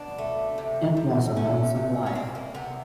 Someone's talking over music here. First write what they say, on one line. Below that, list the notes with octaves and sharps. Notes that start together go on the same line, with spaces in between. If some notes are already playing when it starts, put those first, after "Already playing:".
It was a lonesome life.
Already playing: B2 D4
A3
C3
C3
A3 C#4
C3
C#4
C3 C4
A#3
C3 B3